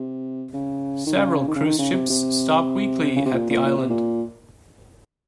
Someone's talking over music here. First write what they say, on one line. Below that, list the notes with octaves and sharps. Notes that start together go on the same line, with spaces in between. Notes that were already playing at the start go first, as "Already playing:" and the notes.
Several cruise ships stop weekly at the island.
Already playing: C3
C#3
D#3
C#3
D#3
C#3
D#3
C#3
C3
C3
C#3
C3
A#2
A#2
A#2
C3
A#2